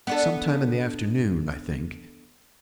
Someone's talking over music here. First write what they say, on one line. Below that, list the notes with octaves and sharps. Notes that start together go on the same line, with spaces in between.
Some time in the afternoon, I think.
B3 D4 A4